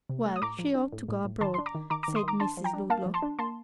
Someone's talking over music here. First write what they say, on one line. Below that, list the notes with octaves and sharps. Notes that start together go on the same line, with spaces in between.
"Well, she ought to go abroad," said Mrs. Ludlow.
C3
A3
D#6
A2 A#5 D6
F3
D4
A2
A2
A2
D#3 A5 C6
D4 C6
A#5 D6
D#3
D#3 A#5 D6
D#3 A#5 D6
C6 D#6
D#3 A#5 D6
D4 A5 C6
F3
G5 A#5
D4
A#3 F5 A5
F3
A5 C6
D4
A#3 A5 C6